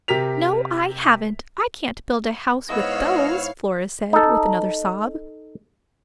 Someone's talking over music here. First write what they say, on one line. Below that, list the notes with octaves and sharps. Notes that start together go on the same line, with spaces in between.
"No, I haven't; I can't build a house with those," Flora said, with another sob.
C3 G4 A#4 B6 F7
G#2 B3 E4 C#5 D#5 F5 E6 F6
D#4 A4